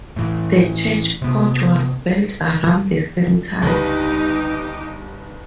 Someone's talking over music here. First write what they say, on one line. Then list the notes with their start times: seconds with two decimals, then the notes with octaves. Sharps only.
The church porch was built around the same time.
0.16 A2 E3
1.22 C3 B3
3.62 G1 C#2 D#4 G4 B4